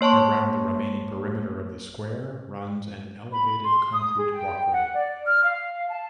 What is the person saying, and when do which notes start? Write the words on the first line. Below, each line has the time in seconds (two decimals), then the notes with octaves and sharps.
Around the remaining perimeter of the square runs an elevated concrete walkway.
0.01 A#3 C#5 A5 C6 C#6
3.32 B5
3.63 C6
3.94 D#6
4.18 G#4
4.33 G5
4.72 F#5
4.94 D5
5.26 F6
5.43 F5
5.91 A5